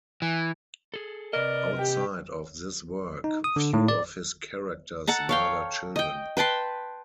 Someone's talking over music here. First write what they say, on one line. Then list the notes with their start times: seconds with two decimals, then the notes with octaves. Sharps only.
Outside of this work, few of his characters murder children.
0.22 E3
0.94 G#4 A4
1.33 C3 A#4 B4 D5 D#5
1.78 G4 G5
3.24 D#4
3.44 D#6
3.56 D3
3.73 A2
3.88 D5
5.07 A4 F#5 A5 A#5
5.29 C#5 F5 G5
5.96 D#5 G5
6.37 B4 G5 A5 C6